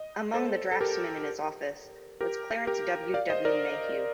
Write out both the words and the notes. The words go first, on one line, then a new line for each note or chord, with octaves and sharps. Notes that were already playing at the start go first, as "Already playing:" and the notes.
Among the draftsmen in his office was Clarence W. W. Mayhew.
Already playing: D#5
A4 C5
A4
G4 A#4
G4 A#4
G4 A#4
D5 F5
C5 D#5
A#4 D5